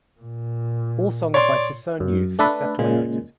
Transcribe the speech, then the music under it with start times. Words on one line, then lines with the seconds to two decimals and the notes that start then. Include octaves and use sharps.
All songs by Ciccone Youth, except where noted.
0.20 A#2
1.34 C#5 D5 C6
2.00 F#2
2.39 A3 D4 A4 B4
2.79 A#2 C#3 G#3